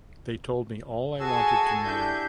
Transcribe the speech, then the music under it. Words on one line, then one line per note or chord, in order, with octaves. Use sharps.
They told me all I wanted to know.
F#4 G#4 A4 G#5 A5 E6
D4 E4 G4 G6